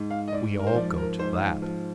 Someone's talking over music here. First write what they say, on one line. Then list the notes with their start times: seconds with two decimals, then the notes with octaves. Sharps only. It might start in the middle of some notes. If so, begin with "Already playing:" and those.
We all go to that.
Already playing: G#2
0.10 F5
0.28 D#5
0.32 G#2 D5
0.60 A#4
0.67 C5
0.75 F3 D5
0.98 A#4
1.18 G#2 C5
1.41 F5
1.62 F3